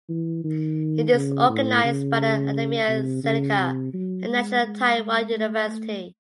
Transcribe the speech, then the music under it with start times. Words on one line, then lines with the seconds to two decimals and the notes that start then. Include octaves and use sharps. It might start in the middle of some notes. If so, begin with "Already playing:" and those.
It is organised by the Academia Sinica and National Taiwan University.
0.09 E3
0.44 D#3
1.13 C#3
1.49 A2
1.84 C#3
2.89 C3
3.24 C#3
3.58 C3
3.93 F#3
4.29 G#3
4.63 G#3
4.98 G#3
5.33 A3
5.68 A3